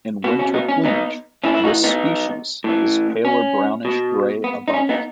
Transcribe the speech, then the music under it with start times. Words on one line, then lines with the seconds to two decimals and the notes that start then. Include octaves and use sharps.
In winter plumage, this species is paler brownish gray above.
0.24 B2 B3
0.39 C#4
0.54 B3 D#4
0.69 C#4
0.85 B3 D#4
1.44 A2 E3 C#4 E4
1.54 E4
1.64 D#4 F#4
1.84 B3 D#4
2.64 A2 E3
3.25 C#4
3.85 B2
4.44 B3
4.68 D#4
4.74 C#4
4.89 B3 D#4